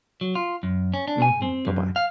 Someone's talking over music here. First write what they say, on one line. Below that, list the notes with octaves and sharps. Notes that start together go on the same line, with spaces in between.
Mhm, buh-bye.
F#3
F4
F#2
C#4
D4
G#5
C4
F#2
F5